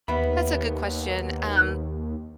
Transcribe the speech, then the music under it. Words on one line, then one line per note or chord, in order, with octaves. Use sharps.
That's a good question, um
D#2 B3 E5 B5